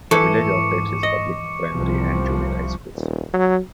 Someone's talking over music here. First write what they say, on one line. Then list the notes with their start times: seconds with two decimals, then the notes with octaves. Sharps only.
The village operates its public primary and junior high schools.
0.11 G#2 E3 A4 C#6 D6 C#7
1.03 D#5
1.73 C2 C3 F3
2.95 D#1
3.34 F#3